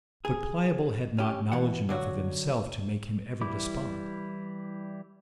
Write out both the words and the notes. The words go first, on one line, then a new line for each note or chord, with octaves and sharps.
But Pliable had not knowledge enough of himself to make him ever despond.
G#4
C#4 G4
B2 E3 F#5
D3 F#3 F#4
E3 G3 E4 D6